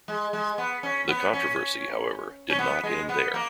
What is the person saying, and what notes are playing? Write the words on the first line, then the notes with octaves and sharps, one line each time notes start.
The controversy, however, did not end there.
G#3
G#3
B3
C#4
B3
C#4
C#4
B3
G#3
B3
A#3